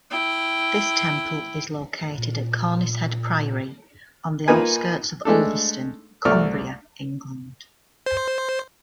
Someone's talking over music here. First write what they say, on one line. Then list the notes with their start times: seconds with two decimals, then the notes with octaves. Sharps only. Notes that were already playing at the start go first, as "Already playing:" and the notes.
This temple is located at Conishead Priory on the outskirts of Ulverston, Cumbria, England.
0.10 E4 G5
2.18 A#2
4.48 A#3 D#4 F4 B4 G#5
5.25 G#3 A3 D4 A4
6.25 C2 A3 D5 C#6 F6
8.06 C5